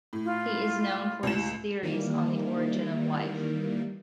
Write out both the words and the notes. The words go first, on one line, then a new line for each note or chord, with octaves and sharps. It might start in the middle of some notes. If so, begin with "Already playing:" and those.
He is known for his theories on the origin of life.
A2
F4
C#2 A2 E7
D#3 E3 G3 A#3